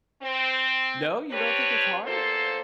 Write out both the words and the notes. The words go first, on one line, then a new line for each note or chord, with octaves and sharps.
No, you don't think it's hard?
C4
C4 D4 G4 B4 C#5
E2 A#2 A#3 A4 C5